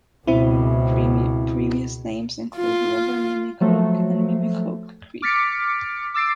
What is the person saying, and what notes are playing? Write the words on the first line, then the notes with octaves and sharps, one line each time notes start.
Previous names included River Mimicoke and Mimicoke Creek.
C#2 B2 C4 E4
F4
F3 F#3 A3
D6 F6 A6 B6 C#7 D7
D6 E6 A6 C7 D7